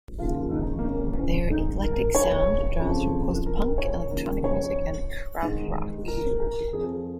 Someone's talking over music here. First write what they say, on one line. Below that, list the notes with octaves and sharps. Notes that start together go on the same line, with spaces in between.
Their eclectic sound draws from post-punk, electronic music and krautrock.
D#2 C#3 F3 F4
D#4
A#3
C#4
C#4
G#2 D#3 D#4
A#4
C#5
F2 C#3 F3
A#4
C#5
D#2 C#3 F3 A#4
C#5
G#2 D#3
A#4
A#4
F2 F3 G#4